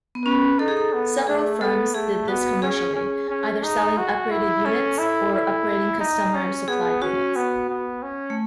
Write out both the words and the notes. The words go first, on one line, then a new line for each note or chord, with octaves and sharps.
Several firms did this commercially, either selling upgraded units or upgrading customer-supplied units.
B3
C#4 B4
D#4 A4
G#4
A4
B3
A3 G#4
B3 A4
A3 G#4
B3 F#4
C#4 G#4
C#4
C#4
D#4
F#4
E4
C#4 A4
E4
E4
D#4
C#4
B3 G#4
C#4 F#4
B3
B3
C#4
A3